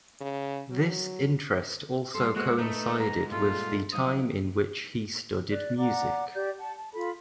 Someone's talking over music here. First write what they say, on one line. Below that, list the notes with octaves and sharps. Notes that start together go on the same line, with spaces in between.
This interest also coincided with the time in which he studied music.
C#3
F#3
G3 A4 C6
G#3 A#3 B3 F#4 C5
A3 D#4 B4
G#2 A#5
A#2 G3 A3 F4
F3 F#3 D#4 D#6
D5 F#6
D5 F#5 A#5 D6
G4 D5 G6
F#5 A5
A5
F4 A4 B5